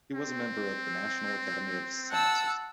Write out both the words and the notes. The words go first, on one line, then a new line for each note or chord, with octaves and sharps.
He was a member of the National Academy of Sciences.
C4
F#5 A5 E6